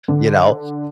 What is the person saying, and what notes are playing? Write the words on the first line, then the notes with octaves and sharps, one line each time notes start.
you know?
D3